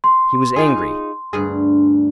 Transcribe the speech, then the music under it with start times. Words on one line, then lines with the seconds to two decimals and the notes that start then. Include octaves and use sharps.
He was angry.
0.04 C6
0.56 D#4 F4 G#4
1.33 D2 G2 G#4